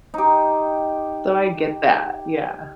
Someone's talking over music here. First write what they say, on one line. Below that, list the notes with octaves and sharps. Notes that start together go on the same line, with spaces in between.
So, I get that, yeah.
D#4 G4